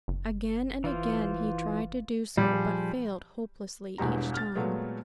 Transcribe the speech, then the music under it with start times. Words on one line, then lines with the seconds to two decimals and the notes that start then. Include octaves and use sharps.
Again and again he tried to do so, but failed hopelessly each time.
0.08 F#1
0.84 E3 F4 C5
2.37 A#2 F3 G3 G#4
3.98 E1 E2 G2 B2 A#5
4.34 F6 A6
4.56 A#2 F#3 G#3 A3 B3